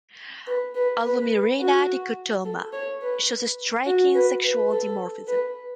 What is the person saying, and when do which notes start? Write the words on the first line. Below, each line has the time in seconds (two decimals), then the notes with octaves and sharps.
"Allomyrina dichotoma" shows a striking sexual dimorphism.
0.47 B4
0.75 B4
1.04 B4
1.60 F#4
2.45 A4
2.73 C#5
3.02 B4
3.86 F#4
4.14 B4
4.43 B4
4.71 A4
5.27 B4